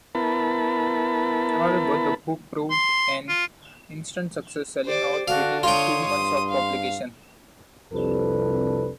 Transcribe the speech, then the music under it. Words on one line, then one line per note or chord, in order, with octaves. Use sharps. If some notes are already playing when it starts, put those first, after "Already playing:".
However, the book proved an instant success, selling out within two months of publication.
B3 E4 A#4 A5 B5
C6
F4
G4 C5 D5
D3 D4 F#4 F5
F4 C#5 G5 C6 D#6
G2 D#6
F5
C2 F2 C3 D4 A4 B4